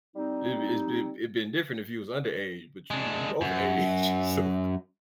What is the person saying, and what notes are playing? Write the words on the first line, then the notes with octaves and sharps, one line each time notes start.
it it's been it'd been different if he was underage, but you you overage, so
G3 C4 D#4
G#3 D4
F#2